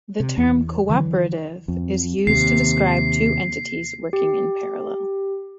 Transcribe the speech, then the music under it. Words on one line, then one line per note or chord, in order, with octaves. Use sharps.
The term "cooperative" is used to describe two entities working in parallel.
C3
E2
D3 E3 F#3
F2
D#2 C3 C7
G4